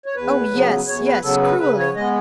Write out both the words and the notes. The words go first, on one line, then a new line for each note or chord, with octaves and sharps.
"Oh, yes, yes, cruelly!"
C#5
E2 B4
C#3 F#3 B3
E2 C#5
B4
C#3 F#3 B3 A4
B4
C#3 B4
C#5
G#3 B3 D#5